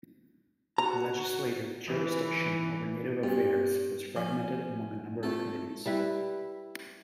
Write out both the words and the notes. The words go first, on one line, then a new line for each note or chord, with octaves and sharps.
Legislative jurisdiction over Native affairs was fragmented among a number of committees.
F#4 A#5
E3
G2 B3 C#4
F3 C#4
A3 C4 F4 A4
G3 E4 B4